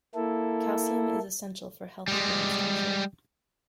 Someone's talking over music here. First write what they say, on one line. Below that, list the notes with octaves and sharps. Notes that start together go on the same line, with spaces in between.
Calcium is essential for healthy bone structure.
A#3 E4 A4
G3 G#3